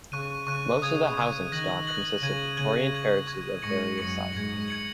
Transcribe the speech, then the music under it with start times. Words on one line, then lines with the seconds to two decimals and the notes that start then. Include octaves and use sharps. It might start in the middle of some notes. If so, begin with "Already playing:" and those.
Most of the housing stock consists of Victorian terraces of various sizes.
0.12 C#3 C#6 F#6 D#7
0.47 C#3 C#6 F#6 D#7
0.82 C#3 D#6 G#6 D#7
1.17 C#3 D#6 G#6 D#7
1.52 D#3 F#6 A#6 F#7
1.87 F#6 A#6 F#7
2.22 C#3 G#6 D#7 F#7
2.57 C#3 G#6 D#7 F#7
2.92 C#6 G#6 F#7
3.27 C#6 G#6 F#7
3.62 G#2 C#6 A#6 C#7 F#7
3.98 F#2 C#6 A#6 C#7 F#7
4.32 G#2 G#6 C#7 F#7
4.68 G#6 C#7 F#7